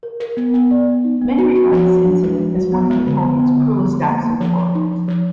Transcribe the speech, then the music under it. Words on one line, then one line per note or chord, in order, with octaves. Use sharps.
Many regard this incident as one of Napoleon's cruelest acts in war.
A#4
A#4
B3
B3
D5
B3
D#4
B3
F#4
F#4
F3
F#4
D4
G#3
F3
F#4
B3
G#3
D3
B3
B3
D3
F3
G#3
A#3
A#3
F3
F3
D#4
F3
F3